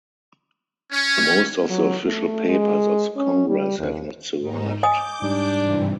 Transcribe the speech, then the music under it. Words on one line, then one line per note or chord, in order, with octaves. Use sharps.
Most of the official papers of the Congress have not survived.
C#4
F#3
A3
G#3
C#4
G3
D#2
G#2 D#4
D#5 G#5 D6 D#6 G6
G#2 G3 D4
G2 C3 E3